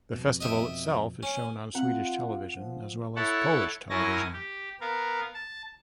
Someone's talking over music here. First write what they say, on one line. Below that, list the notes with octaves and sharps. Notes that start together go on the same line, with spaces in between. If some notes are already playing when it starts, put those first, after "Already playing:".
The festival itself is shown on Swedish television as well as Polish television.
F2 B2
D#5 E5 G5
C#4
C4 F4 F#5
F3
E4 A4 C#5 F#5 A5
F#2 C#4 E4 G#5 A5 A#6
G4
B3 A#4 F5
A5